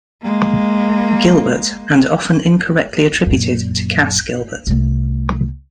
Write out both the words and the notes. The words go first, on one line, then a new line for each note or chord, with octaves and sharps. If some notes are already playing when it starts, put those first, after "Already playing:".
Gilbert, and often incorrectly attributed to Cass Gilbert.
G#3 A#3
F#2 A#2
C2 A3